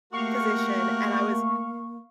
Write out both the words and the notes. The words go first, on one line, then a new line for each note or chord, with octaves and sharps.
position, and I was
A3 A#3 F#4 G4 A#4 F5 C#6